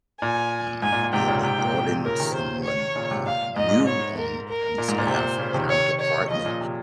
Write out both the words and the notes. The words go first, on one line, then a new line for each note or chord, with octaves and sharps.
um, then they brought in someone, uh, new on on the staff in our department,
A#2 G#5
G#2 G#5
A#2
A#2
G#2 C3 G5
A#2 C#3
G#2 C3 G5
A#2
A#2
A#2 C#3 A#4
C3 D#3
C5
C#5
A#2 C#3
G#2 C3
A#2 F5
G#2 D#5
A#2
G#2
C#5
A#4
A#4
A#2
G#2
A#2
C3 C5
A#2
A#2 C#3
C3 D#3
C#5
C#5
C#3 F3 D#5
A#2 C#3
C3